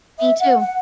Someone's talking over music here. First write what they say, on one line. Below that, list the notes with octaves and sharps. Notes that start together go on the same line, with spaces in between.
Me, too.
E5
F#5
F#5